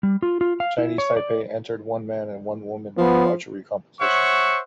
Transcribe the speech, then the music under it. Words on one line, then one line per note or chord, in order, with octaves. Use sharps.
Chinese Taipei entered one man and one woman in the archery competition.
G3
F4
F4
F5
E4
C#5
D5
F3 B3
C5 C#5 E5 F#5 C#6